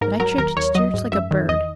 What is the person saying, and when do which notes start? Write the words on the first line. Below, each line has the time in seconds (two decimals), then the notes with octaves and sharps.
But I tripped to church like a bird.
0.01 G#2 A#4
0.20 F#3 A#4
0.38 D#2 A#4
0.57 D#2 C#5
0.75 F#3 D#5
0.94 G#2
1.12 F#2 E5
1.31 D#3
1.49 E2 D#5